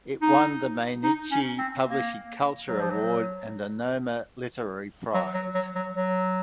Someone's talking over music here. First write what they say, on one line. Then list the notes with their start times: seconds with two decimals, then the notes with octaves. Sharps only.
It won the Mainichi Publishing Culture Award and the Noma Literary Prize.
0.22 D#4
1.04 D#4
1.31 C#4
1.58 C4
1.85 A#3
2.68 F#3
2.79 F3
2.90 F#3
5.14 F#3
5.34 F#3
5.54 F#3
5.75 F#3
5.95 F#3